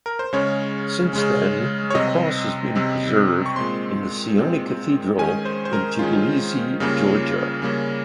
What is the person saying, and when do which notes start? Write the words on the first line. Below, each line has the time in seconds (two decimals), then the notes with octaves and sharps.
Since then, the cross has been preserved in the Sioni Cathedral in Tbilisi, Georgia.
0.06 A#4
0.19 C5
0.33 C#3 G#3 C#4 C#5
1.13 C#3 G#3 C#4
1.90 C#5
1.95 C3 G3 C4 D#5
2.75 C3 G3 C4
3.46 C#6
3.56 A#2 G#3 C4 C6
4.38 A#2 G#3 C4
5.18 D#3 G#3 C#4 G#5
5.45 C5
5.65 C5
5.73 A#4
5.99 D#3 G#3 C#4 F4
6.80 C#3 G3 A#3 C#4
7.62 C#3 G3 A#3 C#4